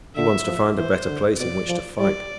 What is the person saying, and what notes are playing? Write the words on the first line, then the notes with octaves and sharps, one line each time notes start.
He wants to find a better place in which to fight.
D3 E5
F3
E3 C5
D3
B2 D5
F3
G3 D5